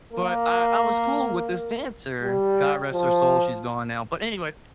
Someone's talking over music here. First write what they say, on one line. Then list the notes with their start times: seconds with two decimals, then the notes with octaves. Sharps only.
But I I was cool with this dancer. God rest her soul. She's gone now. But, anyway,
0.13 A#3
2.22 G3
2.93 F3